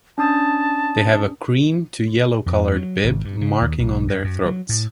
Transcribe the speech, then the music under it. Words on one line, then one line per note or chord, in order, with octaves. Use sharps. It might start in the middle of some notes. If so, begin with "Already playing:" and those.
They have a cream to yellow coloured "bib" marking on their throats.
C#4 D4 A5 D#6
F2
F#3
G#1
G2
C#3
D#2
B1
F#2
F#2
F#3
A2